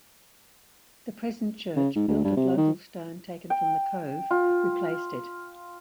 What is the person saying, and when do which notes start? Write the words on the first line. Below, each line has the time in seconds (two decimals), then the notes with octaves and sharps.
The present church, built of local stone taken from the cove, replaced it.
1.76 C#3
1.95 G#2
2.08 D2
2.24 G2
2.37 C3
2.57 D#3
3.50 G5
4.31 F4